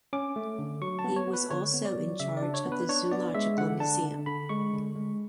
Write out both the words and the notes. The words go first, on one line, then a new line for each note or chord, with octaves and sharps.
He was also in charge of the Zoological Museum.
C#4 D6
A3
D3
F#3 C#6
A5
B3
C#5
B3
B4
D3 C#5
B3
D5
F#3
C#3 E5
D5
D4
C#5
B3
B4
D4 C#5
B3 D5
G#3 E5
D3 F#5
D4 A5
D3
D3 B5
G#3 C#6
D3
G#3